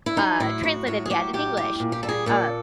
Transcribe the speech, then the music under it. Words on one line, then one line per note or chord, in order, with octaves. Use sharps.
uh, translated yet in English," um,
E4
F#3 D#4
A2 E4
F#3 F#4
A2 F#4
G#4
F#3 G4
A2 G4
G3 G4
A#2
G4
G3 A4
G#4
A#2 A4